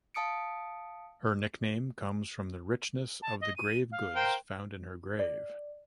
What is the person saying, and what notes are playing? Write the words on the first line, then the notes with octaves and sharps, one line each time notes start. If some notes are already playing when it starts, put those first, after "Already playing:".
Her nickname comes from the richness of the grave goods found in her grave.
F5 A5 D#6 C#7 D7
A5
D#5
D#7
F5
A#4 C5 G5
D5